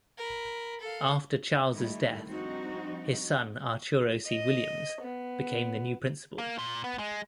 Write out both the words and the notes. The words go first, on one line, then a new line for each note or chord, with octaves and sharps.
After Charles' death, his son Arturo C. Williams became the new Principal.
A#4 B5
A4 F5
D#3 G3 A3 E4
F3 G3 C4 D4 D#4 F#4
D#5
B3
A#3
A#2
B3
G#3